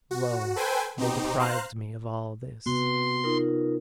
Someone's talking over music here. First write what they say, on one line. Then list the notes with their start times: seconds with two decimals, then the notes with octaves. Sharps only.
Lo! they deprived me of all this.
0.11 F#4
0.56 A4 B4 C5 G5 G#5
0.97 B2 C4 D#4 G4
1.39 C5 F5 A#5 F#6
2.66 C3 B3 F#4 C6
3.24 D#4 F4 A#4